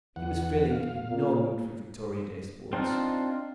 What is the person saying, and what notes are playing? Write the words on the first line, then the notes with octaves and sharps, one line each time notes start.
He was feeling in no mood for Victoria Day sports.
E2 F#5
F5
A#2
C4 D4 D#4 F4